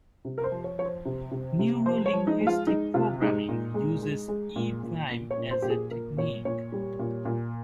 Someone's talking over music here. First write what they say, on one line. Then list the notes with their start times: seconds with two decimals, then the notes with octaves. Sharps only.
Neuro-linguistic programming uses E-Prime as a technique.
0.25 C3
0.38 A#4
0.44 C5
0.52 F3
0.64 C#5
0.79 F3 C#5
0.85 C5
1.05 C3
1.31 C3
1.59 C3
1.86 F3 C5
2.06 C#5
2.13 F3
2.27 D#4
2.40 G#3
2.47 F4
2.67 G#3 D#4
2.94 C3 F4
3.21 G#3 D#4
3.48 A#2
3.74 G#3
4.02 G#3
4.28 G#3
4.56 A#2
4.83 A#2
5.10 A#2
5.31 C#5
5.37 A#2
5.51 C5
5.62 A#2 G4
5.70 G#4
5.91 A#2 A#4
6.17 A#2 C#5
6.45 A#2 C#5
6.72 G3
6.99 A#2
7.25 A#2